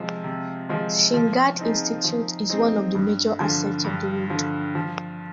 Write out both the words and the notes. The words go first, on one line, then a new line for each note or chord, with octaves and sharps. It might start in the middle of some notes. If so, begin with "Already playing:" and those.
Sinhgad Institute is one of the major assets of the road.
Already playing: C3 F3 G#3
C3
F3 G#3
F3
C4 D#4 G#4
F3
C4 D#4 G#4
G2
D3 F3
G2
D3 F3
F3